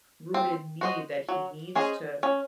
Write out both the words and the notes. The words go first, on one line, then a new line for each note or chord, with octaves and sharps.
rooted need that he needs to
C4
F#4 C5 D#5
F#3
C#4 G#4 C5 D#5
C#4